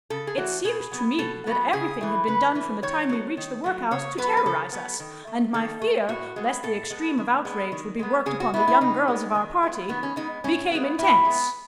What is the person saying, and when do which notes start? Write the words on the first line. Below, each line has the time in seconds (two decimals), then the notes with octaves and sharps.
It seemed to me that everything had been done from the time we reached the workhouse to terrorize us, and my fear lest the extreme of outrage would be worked upon the young girls of our party became intense.
0.10 C#3 A4
0.27 G#4
0.37 E3 A3 F#4
0.64 B2 G#4
0.92 F#3 B3
1.19 B2 A4
1.46 F#3 B3
1.73 C#3 G#4
2.01 E3 A3
2.27 C#3 B4
2.55 E3 A3
2.82 D#3 C#5
3.09 F#3 A3
3.37 D#3
3.64 F#3 A3
3.91 C#3 C#5
4.18 F#3 B3 B4
4.37 B4
4.46 C#3 A4
4.72 F#3 B3
5.00 D#3
5.27 A3
5.54 D#3 A4
5.81 A3
6.09 A2 F#4
6.36 G#3 B3
6.63 A2 A4
6.90 G#3 B3
7.18 D#3
7.45 G#3 B3
7.72 D#3
7.99 G#3 B3
8.26 C#3 G#4
8.40 F#4
8.54 G#3 B3 E4
8.68 E4
8.81 C#3 D#4
9.08 G#3 B3
9.35 D#3
9.62 G#3 B3
9.89 D#3 B3
10.03 C#4
10.16 G#3 B3 D#4
10.44 A2 C#4
10.71 G#3 B3
10.98 A2 E4
11.25 G#3 B3